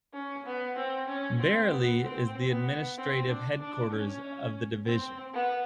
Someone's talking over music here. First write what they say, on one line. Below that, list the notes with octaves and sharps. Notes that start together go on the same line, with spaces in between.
Bareilly is the administrative headquarters of the division.
C#4
B3
C4
C#4
C4
B3
C4
B3
C4
D4
D4
C#4
C4
B3